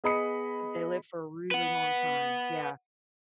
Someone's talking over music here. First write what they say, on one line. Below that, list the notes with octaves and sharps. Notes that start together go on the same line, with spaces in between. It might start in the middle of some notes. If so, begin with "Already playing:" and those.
they live for a really long time, yeah.
B3 G#4 D#5 B5 D#6 C#7
B4 F#5